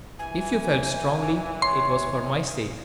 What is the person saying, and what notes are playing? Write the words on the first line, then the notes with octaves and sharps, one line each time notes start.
If you felt strongly, it was for my sake.
E3 G#5
C#5 C6